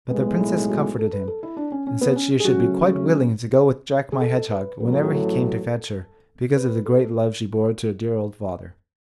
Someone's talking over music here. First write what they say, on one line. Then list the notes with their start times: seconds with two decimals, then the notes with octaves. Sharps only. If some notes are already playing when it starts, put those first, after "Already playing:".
But the Princess comforted him, and said she should be quite willing to go with Jack my Hedgehog whenever he came to fetch her, because of the great love she bore to her dear old father.
0.10 B1 A2 G#3 B3
0.40 E4
0.69 F#4
0.99 A4
1.13 B4
1.28 A4
1.43 E4
1.57 D4
1.72 C#4
1.87 C#4
2.01 B3
2.16 C#4
2.40 G#4
2.45 C#3 F#3 A3 C#4 F#4
4.12 G#4
4.21 A4
4.50 B4
4.80 A1 A2 F#3 B4
4.92 A4
5.03 G#4
5.15 A4
6.56 B4
6.86 A4